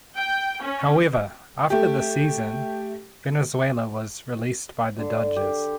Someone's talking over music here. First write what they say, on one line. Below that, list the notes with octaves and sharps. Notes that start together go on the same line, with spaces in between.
However, after the season, Valenzuela was released by the Dodgers.
G5
C#4
A3 G4
D3
G4